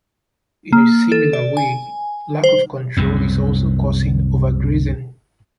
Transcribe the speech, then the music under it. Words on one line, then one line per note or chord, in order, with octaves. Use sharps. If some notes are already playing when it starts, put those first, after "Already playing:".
In a similar way lack of control is also causing over-grazing.
A#3
A4
D5
G#5
C5
C2 F#2 A2